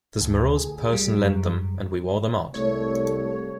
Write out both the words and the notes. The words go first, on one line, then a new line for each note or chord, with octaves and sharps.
This morose person lent them, and we wore them out.
D2
G#4
G3
F#2
C2 A3 C#5